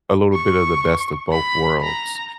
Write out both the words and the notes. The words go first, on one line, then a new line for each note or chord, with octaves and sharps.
a little bit of the best of both worlds?
C#6
B5
A#5